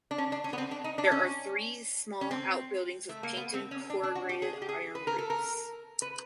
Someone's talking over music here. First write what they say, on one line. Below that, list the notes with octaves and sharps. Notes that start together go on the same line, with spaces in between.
There are three small outbuildings with painted corrugated iron roofs.
D4
C#4
D4
C#4
B3
C4
D4
D#4
D4
C#4
C#4
C4
A3
A#3
B3
C4
C#4
D4
D4
F#4
G4
G#4
G4
G#4
B4
A#4
A4
A#4
B4